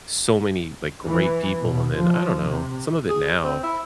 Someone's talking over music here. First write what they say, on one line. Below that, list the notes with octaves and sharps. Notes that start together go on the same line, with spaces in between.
so many, like, great people, and then, I don't know, some of it now
E3
B2
F3
C3
G#4
C4
E4